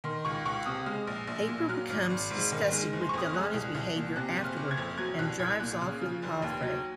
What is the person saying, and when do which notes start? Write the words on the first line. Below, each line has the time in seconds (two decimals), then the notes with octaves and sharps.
April becomes disgusted with Delauney's behaviour afterward and drives off with Palfrey.
0.04 D#3 C6
0.25 C#2 C#6
0.45 C#2 C#6
0.65 C3 D#6
0.86 G#3 F6
1.07 A#1
1.27 A#1
1.48 A#2
1.69 F#3 F6
1.89 G#1
2.10 G#1
2.31 G#2
2.52 D#3
2.71 G#3
2.93 F#1
3.01 C6
3.09 C#6
3.13 F2 D#6
3.26 F6
3.33 G#3 F#6
3.54 C2
3.75 C2
3.96 A#2
4.16 C3 F#6
4.37 F#1
4.44 F6
4.57 F#1
4.71 G#6
4.77 F2
4.98 F#3 G#6
5.19 C2 F#6
5.39 C2 G#6
5.60 A#2 F#6
5.81 C#3 F6
6.01 F3
6.22 F1
6.42 D#2
6.63 F#3